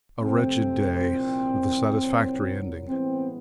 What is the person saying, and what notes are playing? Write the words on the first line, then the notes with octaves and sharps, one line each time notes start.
A wretched day with satisfactory ending.
F2 C3 F3 A3 C4
C2 A#2 F3
C2 A#2 F#3
A1 G2 E3 G#3 B3 C4